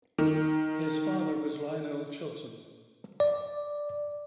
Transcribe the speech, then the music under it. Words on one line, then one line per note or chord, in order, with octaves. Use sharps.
His father was Lyonel Chilton.
D#3
D5